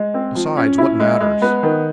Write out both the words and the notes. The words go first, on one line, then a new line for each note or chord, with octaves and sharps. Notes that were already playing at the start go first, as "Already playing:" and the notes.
Besides, what matters?
Already playing: G#3
C4
F3
C#4
E4
G#3
G#3
B3
D#3